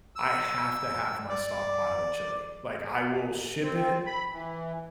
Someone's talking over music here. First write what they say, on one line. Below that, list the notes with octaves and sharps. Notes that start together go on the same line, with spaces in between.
I have to have my stockpile of chili. Like, I will ship it.
E6
D5
C4
B5
E3